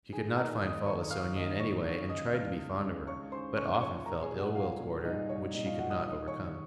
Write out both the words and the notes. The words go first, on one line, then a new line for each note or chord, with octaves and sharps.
She could not find fault with Sonya in any way and tried to be fond of her, but often felt ill-will toward her which she could not overcome.
D#3 G#4 G#5
D#3 A#4 A#5
D#2 D#5 D#6
D#2 C#5 C#6
D#3 F5 F6
D#2 D#5 D#6
D#3 C#5 C#6
D#2
C#3 D#5 D#6
C#2 F5 F6
C#2
C#3
C#2 C#5 C#6
C#3 C5 C6
C#3 C#5 C#6
F3 C#5 C#6
A#2 A#4 A#5
G#4 G#5
C2
F#4 F#5
C2 F4 F5
A#2
C2 D#4 D#5
C2 C#5
A#2 D#4 D#5
F4 F5
F3 F#4 F#5
D#5 D#6
D#3 D#5 D#6
D#2 C#5 C#6